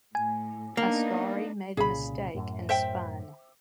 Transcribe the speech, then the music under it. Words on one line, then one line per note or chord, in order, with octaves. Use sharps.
Ascari made a mistake and spun.
A2 G#5
A#3 B3 D4 D#4
C2 A#2 C#3 G#4 B5
F#2 A2
C5 E5 G5